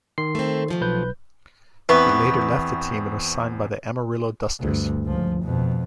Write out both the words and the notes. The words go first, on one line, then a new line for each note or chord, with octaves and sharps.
He later left the team and was signed by the Amarillo Dusters.
D#3 C6 C7
A3 C4
C3 F3 A3
B1 B4 G6
E2 E3 B3 C4 C#6 B6
D2 G2
C#2 F3
F2 B2